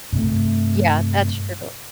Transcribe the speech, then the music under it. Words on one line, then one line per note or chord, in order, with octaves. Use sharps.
Yeah, that's true.
G2 C3 A3